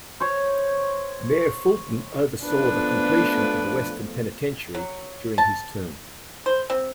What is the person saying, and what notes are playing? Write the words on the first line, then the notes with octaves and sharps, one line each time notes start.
Mayor Fulton oversaw the completion of the Western Penitentiary during his term.
C5 C#5
F3 A3 B3 D4 B4
F#3
A5
C5
C4